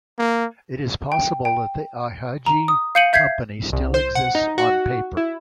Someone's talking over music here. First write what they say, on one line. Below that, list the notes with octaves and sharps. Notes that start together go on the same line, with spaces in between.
It is possible that the Ihagee company still exists on paper.
A#3
G5
G5
A#5
D#6
F5 G6 C#7 D#7 F#7
E5 G6 G#6 B6 C7
C2
C5
F#5
D#4
F#4
E4